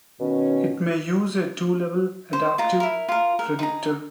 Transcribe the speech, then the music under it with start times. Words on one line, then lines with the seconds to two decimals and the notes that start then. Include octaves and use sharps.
It may use a two-level adaptive predictor.
0.20 B2 D#3 C#4
2.33 C5
2.58 F4 A#4 A#5
2.80 E4 A#4
3.09 F4 A#4
3.39 A#4
3.59 D#4 G#4 A#5